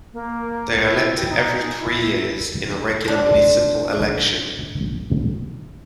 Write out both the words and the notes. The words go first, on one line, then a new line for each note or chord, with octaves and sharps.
They are elected every three years, in the regular municipal election.
A#3
E4
G5
D#4
G#5
E4
C4 D4